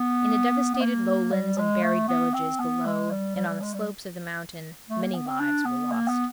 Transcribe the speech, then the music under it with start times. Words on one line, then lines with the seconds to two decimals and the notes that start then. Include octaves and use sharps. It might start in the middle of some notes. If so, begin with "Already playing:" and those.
In the devastated lowlands and buried villages below and on the slopes of the mountain many lives were lost.
Already playing: B3
0.74 B3
0.81 A#3
1.32 G3
1.58 G#3
1.83 A3
2.08 B3
2.34 C4
2.59 B3
2.86 G#3
3.11 G3
3.36 G3
3.49 G3
3.62 G#3
3.74 G3
4.89 A3
5.02 A#3
5.14 B3
5.27 C4
5.40 D4
5.65 B3
5.91 A#3
6.08 B3